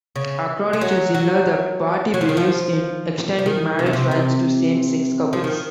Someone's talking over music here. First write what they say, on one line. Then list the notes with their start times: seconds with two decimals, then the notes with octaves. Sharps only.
According to Ziller, the party believes in extending marriage rights to same-sex couples.
0.16 C#3
0.73 G#3
0.81 F#3
1.15 F#3
2.14 F#3
2.21 F3
2.29 D#3
2.37 F3
3.39 F3
3.46 D#3
3.79 C3
3.86 C#3
3.93 C3
4.11 C3
5.33 F3
5.44 D#3